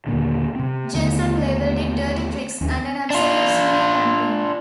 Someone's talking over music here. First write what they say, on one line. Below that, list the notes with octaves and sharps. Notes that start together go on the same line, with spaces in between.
Jensen labelled it "dirty tricks" and an "absolute smear campaign".
D#2 A#2 D3
C3 C4
D#2 D3 A3 B3
D#2 C#4 D4
D4 F4